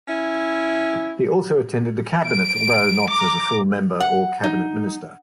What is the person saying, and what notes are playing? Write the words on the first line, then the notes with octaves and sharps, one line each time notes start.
He also attended the Cabinet, although not as a full member or Cabinet Minister.
C#4 E4
D7
A#5 D6
F#5
D#4